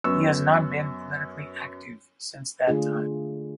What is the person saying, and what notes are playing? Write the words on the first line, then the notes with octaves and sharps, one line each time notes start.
He has not been politically active since that time.
F#2 B3 C#6 E6
D3 A3 D4 F4 G#4